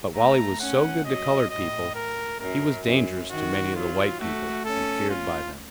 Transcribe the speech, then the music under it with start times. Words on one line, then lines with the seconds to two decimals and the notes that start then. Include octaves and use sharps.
But while he was so good to colored people, he was dangerous to many of the white people and feared by them.
0.14 A3 A#5
0.60 C#4 F#5
1.05 F#3 D#5
1.50 A2 D#5
1.95 A#4
2.40 F#2 A#4
2.85 F#2
3.30 D#3 F#4
3.75 F#3 F4
4.20 A3 F#4
4.65 C#4 A4
5.10 F4